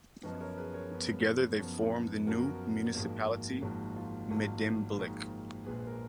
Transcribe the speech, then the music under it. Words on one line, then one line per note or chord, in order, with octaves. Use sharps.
Together they form the new municipality Medemblik.
F#2 F3 B3 B4 D#5
A#4 C#5
G#4 B4
A#4 C#5
F#2 F3 B3
F#2 F3 B3
F#2 F3 B3 F#4 A#4
G#1 G#2 F3 A#3
G#1 G#2 F3 A#3 F#4
F4
G#1 G#2 F3 A#3 F#4
G#1 G#2 F3 A#3
A#1 A#2 G#3 G#4 B4
A#4